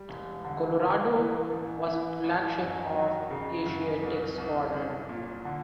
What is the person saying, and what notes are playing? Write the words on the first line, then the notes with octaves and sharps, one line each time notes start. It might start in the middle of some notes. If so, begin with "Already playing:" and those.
"Colorado" was flagship of the Asiatic Squadron.
Already playing: G3
E1
D3
D3
E3
A1
E3
A1
F#2
F#3
C#3
F#2
C2
C2
C2
A#2
D3